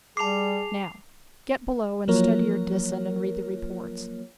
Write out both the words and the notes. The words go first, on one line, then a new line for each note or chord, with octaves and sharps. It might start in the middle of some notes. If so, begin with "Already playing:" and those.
Now get below and study your Disan and read the reports.
G3 G#4 A5 D6 C7 F7
F3 F#3 A#3 F4 A#4 C#5